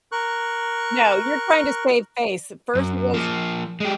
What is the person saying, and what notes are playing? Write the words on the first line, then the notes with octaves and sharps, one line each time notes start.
No, you're trying to save face. First it was,
A#4 C#6 F#6
F#2
F3 A#3
G#3 G4